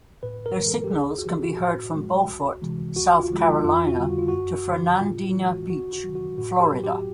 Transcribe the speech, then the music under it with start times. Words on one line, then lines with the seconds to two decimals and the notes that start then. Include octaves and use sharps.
Their signals can be heard from Beaufort, South Carolina to Fernandina Beach, Florida.
0.23 A2 B4
0.46 A#4
0.57 E3 G#3
0.68 A4
0.84 G4
0.91 C#2 G#4
1.18 F#4
1.25 C#3 F3 G4
1.43 F#4
1.60 A2
1.94 F3 G#3
2.28 C#2
2.62 C3 E3 G#3
2.96 D2 F#4
3.20 F4
3.30 D3 F3 G#3
3.42 F4
3.64 F2 F4
3.88 F#4
3.98 D3 G3
4.10 F#4
4.18 F4
4.28 F#2 F#4
4.68 D3 F3
5.01 A2 F4
5.24 F#4
5.35 E3 G#3
5.47 F#4
5.70 C#2 F#4
5.93 F#4
6.04 C3 D#3 F#3
6.15 F#4
6.38 A2 F#4
6.60 G4
6.73 F#3
6.84 G4